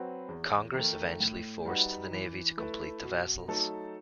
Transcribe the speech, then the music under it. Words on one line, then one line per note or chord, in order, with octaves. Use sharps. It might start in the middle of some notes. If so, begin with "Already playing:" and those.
Congress eventually forced the Navy to complete the vessels.
Already playing: F#3 C4 F#4 B4
E2
D#3 A3
A2
G3 D#4 F#4 B4
E3
A3 E4 B4
B2
F#3 A3 D#4 A4